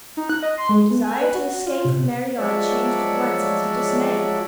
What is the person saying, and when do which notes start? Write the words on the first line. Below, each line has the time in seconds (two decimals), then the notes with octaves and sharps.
Their desire to escape from Marianne changed at once into dismay.
0.17 D#4
0.30 F#6
0.43 D#5
0.58 C6
0.69 G#3
0.90 B3
1.04 G#5
1.21 B4
1.35 F#4
1.49 F#4
1.66 F4
1.85 C3
2.37 F3 F#3 G#3 C#5 D5 E5